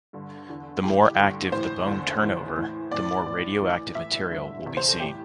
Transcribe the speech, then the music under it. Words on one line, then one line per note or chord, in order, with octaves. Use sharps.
The more active the bone turnover, the more radioactive material will be seen.
G2 D3
E2 D3
A2 E3 G4
G2 D3
A2 E3 C5
E2 D3
E2 E3
A2 E3
A2 E3 D5
A2 E3
A2 E3
A2 E3 E5
G2 D3
E2 C3 E3
C5
A4
A2 E3 G4